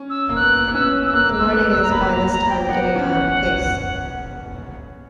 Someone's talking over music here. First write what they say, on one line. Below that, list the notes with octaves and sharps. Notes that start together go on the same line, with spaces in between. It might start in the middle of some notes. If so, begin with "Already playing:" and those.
The morning is by this time getting on apace.
Already playing: C#4
E6
A#3
B3 F#6
B3
C#4 E6
E6
A#3 F#6
E6
A#3
B3 F#6
E6
A#5
A#3 B5
A#5
A#5
G5
B3 F#5
C#4